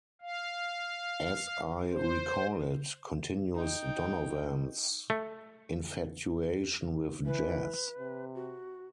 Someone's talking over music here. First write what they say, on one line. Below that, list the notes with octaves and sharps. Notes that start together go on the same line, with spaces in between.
"As I Recall It" continues Donovan's infatuation with jazz.
F5
C5
D#4 G5
A3
E3 B4
C3
F#4